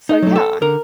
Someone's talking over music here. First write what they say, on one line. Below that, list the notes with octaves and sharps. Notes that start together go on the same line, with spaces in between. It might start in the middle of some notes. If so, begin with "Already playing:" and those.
so yeah, I'm
D#4
F#3 A3
A4
D3 A#4